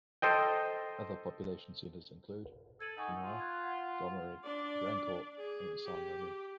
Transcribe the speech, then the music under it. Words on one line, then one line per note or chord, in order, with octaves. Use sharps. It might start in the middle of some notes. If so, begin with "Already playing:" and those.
Other population centers include: Chenois, Gomery, Grandcourt, and Saint-Remy.
A4 C5 D#5 G5
A4 G#6 D#7 F#7
D#4 F#5 G#5 C#6
F4
F#6 G#6
F#5
D4 D5
G#4
G4